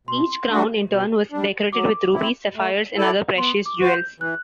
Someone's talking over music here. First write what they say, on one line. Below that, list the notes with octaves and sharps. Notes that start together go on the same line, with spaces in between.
Each crown in turn was decorated with rubies, sapphires and other precious jewels.
B2 C6
A3 D4 F#4
B2
G3 D4
F#3 D6
C4 E4
A3
E4 A4 D5
B3 C6
D6
F#4 C5
G6
E3 F#6